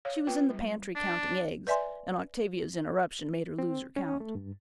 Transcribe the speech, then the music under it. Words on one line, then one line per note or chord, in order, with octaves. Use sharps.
She was in the pantry counting eggs, and Octavia's interruption made her lose her count.
C#5 F5
C4 F4 B4 G5
G3
D4
B4 D5 E5 G#5 C6
C4
C#4
A3
G2